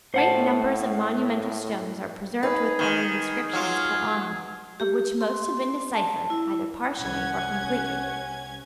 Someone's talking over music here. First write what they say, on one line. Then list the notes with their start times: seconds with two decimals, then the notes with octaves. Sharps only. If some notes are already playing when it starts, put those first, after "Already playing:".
Great numbers of monumental stones are preserved with Ogham inscriptions cut on them, of which most have been deciphered, either partially or completely.
0.14 A2 C5 F#5 A5
2.43 D#4 G#4 B4
2.79 D#3
3.53 F#3 F4
4.80 G4
5.21 C6
5.94 A5
6.30 E4
6.99 C2 C#4 F#5 G#6